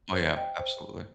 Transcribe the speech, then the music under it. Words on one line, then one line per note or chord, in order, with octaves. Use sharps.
Oh yeah, absolutely.
C5
D#5 G5
C5